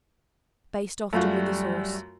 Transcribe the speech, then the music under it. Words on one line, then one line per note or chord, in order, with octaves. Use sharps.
Baste often with the sauce.
F#2 G3 A3 F4 F#4